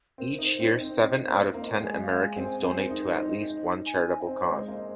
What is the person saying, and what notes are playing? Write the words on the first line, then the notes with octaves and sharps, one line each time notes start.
Each year, seven out of ten Americans donate to at least one charitable cause.
C4 A#4
D#4
C5
C4
D#5
C4
C4 C5
C5
A#3
A#4
A#3
D#5
G#3 G#5
F5
G#3
G#5
C4
G#5
C4 A#4
A#4
D#4
C5
D#4
D#5
G#5
D#5
C4 C5
G#3
D#5
A#3